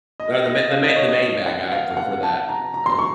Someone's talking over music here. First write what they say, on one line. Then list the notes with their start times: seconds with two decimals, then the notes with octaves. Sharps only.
No, the ma the main the main bad guy for for that. Um,
0.20 D#5
0.46 D#5
0.71 F5
0.84 D#5
0.96 C#5
1.09 D#5
1.21 D#5
1.46 F#5
1.72 F5
1.91 F5
1.97 F#5
2.23 A5
2.49 A#5
2.74 A#5
2.86 C6
2.99 C#6